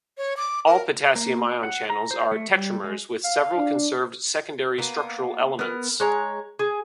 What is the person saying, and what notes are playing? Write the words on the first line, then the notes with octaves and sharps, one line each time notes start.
All potassium ion channels are tetramers with several conserved secondary structural elements.
C#5
D6
A#4
A#3
F#5
A#5
C5
A3
G3
G#3
F5
D4
A#3 B3
B3 A#4
G#3 C#5 A#5
G#4